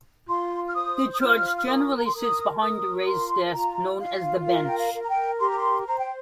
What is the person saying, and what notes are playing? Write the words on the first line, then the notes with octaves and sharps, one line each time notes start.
The judge generally sits behind a raised desk, known as the bench.
F4 C6
F6
C5 D#6
D#6
F4 F6
F6
A#4 D#6
A#5
C6
A#4 D#6
A#4 D#6
D#6
F4 C6
F4 A#5
F4 F5
A#4 F5
G5
F5
A#4
A#5
G5
G4 C6
A#5
C6
C5 A#5
G5